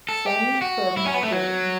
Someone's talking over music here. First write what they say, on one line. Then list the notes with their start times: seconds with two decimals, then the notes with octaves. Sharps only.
Send for Muldoon!
0.09 A4
0.26 G4
0.62 F#4
0.97 E4
1.06 C#4
1.14 B3
1.23 A3
1.32 F#3